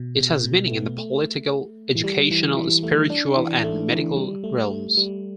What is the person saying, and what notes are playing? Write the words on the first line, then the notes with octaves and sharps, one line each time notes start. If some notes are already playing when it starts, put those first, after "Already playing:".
It has meaning in the political, educational, spiritual and medical realms.
Already playing: B2
B2
B2
A3
B3
A3
E3
G3
E3
E3
A3
D4
E3
A3
E3
G3
A3
A3
G3